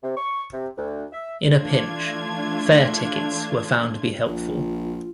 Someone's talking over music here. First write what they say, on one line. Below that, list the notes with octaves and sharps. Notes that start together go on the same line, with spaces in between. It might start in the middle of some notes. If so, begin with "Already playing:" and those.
In a pinch, "fare tickets" were found to be helpful.
C3
C#6
C3
D2
E5
E3 A3 D4 F4 G#6
A#1 F4